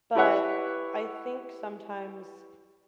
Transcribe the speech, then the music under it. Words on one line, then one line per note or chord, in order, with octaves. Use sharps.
but, I think sometimes
E4 G4 B4 C#5 E5 F#5